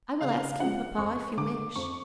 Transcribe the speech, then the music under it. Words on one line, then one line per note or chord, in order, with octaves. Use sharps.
"I will ask him, papa, if you wish."
C#3 F5
F3 G#3 F#5
F2 C#6
D3 G#3 D6
F2 C#6